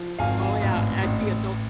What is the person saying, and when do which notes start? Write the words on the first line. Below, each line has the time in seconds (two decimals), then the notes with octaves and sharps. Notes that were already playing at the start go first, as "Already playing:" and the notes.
o oh, yeah. I see adult
Already playing: F3
0.18 G#1 F5 G#5
0.61 A1
1.03 A1